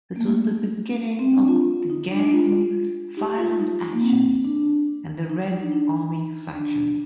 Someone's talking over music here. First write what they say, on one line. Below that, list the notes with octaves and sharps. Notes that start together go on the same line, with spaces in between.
This was the beginning of the gang's violent actions, and the Red Army Faction.
A#3
A3
C4
D4
F4
D#4
D4
F4
D#4 G4
F4
D#4
A#3
C4
D4
D#4
D4
D#4
D4